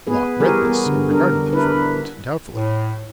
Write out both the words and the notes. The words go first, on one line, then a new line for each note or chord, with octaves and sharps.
Locke read this and regarded them for a moment, doubtfully.
B3 G#4 B4
E3 G3 G4 G#4 A#4 C#5
B3
D3
G3 D4 A#4
D4 E4 A#4 B4
A2